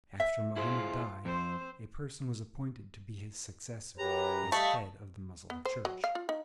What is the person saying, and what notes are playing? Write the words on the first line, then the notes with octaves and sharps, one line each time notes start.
After Mohammed died a person was appointed to be his successor as head of the Moslem church.
E5
E4 F4 G#4 C5
F2 C4 C5
F#2 G4 B4 C#5 A#5
G3 A3 D#5 F5 B5 C#6
B3
C5
F#3
F5
F4
D#4